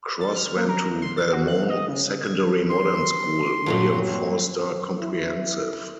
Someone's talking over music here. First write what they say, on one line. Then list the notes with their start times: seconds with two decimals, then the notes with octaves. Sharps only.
Cross went to Belmont Secondary Modern School, William Forster Comprehensive.
0.21 A6
0.36 F6
0.56 A#3
0.69 A#4
1.02 C6
1.17 A6
1.33 F#4
1.48 F#6
1.70 D#5
1.88 C#3
2.23 G#6
2.70 C6
3.66 G2 A#2 F#3
4.98 E4